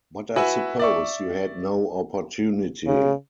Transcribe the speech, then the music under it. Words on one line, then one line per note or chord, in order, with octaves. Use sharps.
But I suppose you had no opportunity.
E4 F#4 B4 E5 G#5
D5 E5 C#6
C#3